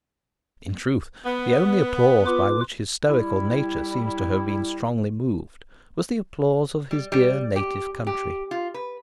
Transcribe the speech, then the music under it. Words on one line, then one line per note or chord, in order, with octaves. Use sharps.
In truth, the only applause by which his stoical nature seems to have been strongly moved was the applause of his dear native country.
B3
F4 B4 D6
G3 E4
G3
G3
G4
G4
F4
B4